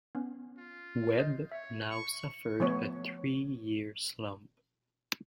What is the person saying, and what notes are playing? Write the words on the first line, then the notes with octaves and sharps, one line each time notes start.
Webb now suffered a three-year slump.
B3 C#4
F4
D#5 G6
C#5 E5
C#6
F3 A3 B3 C#5